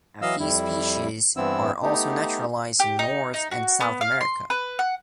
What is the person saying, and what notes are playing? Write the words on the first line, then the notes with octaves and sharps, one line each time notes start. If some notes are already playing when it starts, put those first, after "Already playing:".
A few species are also naturalized in North and South America.
E3 F#3 D#5 F5 E6
F2 G3 E4
G2 E3 B3 C4 E4 E6
A3 B3 D#4 G4
G4
D#4
D#4
F#4
B3
F5
C6
B4
F#5